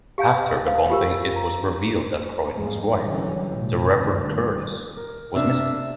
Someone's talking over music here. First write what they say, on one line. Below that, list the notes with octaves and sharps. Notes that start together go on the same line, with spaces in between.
After the bombing it was revealed that Croydon's wife, the Reverend Curtis, was missing.
G4 F5 G#5
C5 F5
F4 G4 A#4
A#5
G#1 F3 G3 G#3 A#3
A#1 D3 E3 F#3 G3 C#4
A1 B2
D2 A2 D3 D#3
D#3 G3 A#3
A#4
C3 A#3 D4 E5